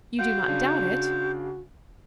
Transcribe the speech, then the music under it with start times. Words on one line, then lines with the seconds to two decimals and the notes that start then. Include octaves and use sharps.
"You do not doubt it?"
0.19 F#4 C5 F5 F#5 D7
0.48 C#3 D4 F5